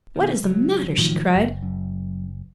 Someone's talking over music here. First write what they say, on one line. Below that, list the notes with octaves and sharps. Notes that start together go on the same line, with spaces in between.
"What is the matter?" she cried.
B2 D#3
C#2 F#3
A2 D#3 F3
F#1
F#2